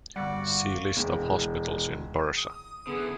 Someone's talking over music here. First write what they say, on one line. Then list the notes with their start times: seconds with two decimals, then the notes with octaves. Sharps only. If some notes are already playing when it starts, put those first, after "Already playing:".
See List of hospitals in Bursa.
0.16 G1 G3 A#3 F#4 D5 F#5
0.97 E1
2.37 D#6
2.87 D3 E3 B3 G#4